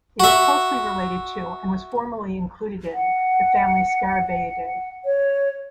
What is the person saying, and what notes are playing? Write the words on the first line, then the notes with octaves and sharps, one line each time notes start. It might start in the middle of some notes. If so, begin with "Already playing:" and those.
It is closely related to, and was formerly included in, the family Scarabaeidae.
F#4 E5
F#5
C#5